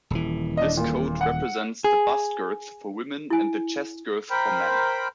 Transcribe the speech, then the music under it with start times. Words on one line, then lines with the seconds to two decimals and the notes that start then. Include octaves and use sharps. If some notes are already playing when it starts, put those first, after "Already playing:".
This code represents the bust girth for women and the chest girth for men.
0.10 D#1 E3
0.57 D4 D#5
0.77 A#2
1.21 F#5
1.84 G#4
3.30 E4 G#5
4.30 A#4 C5 G5 B5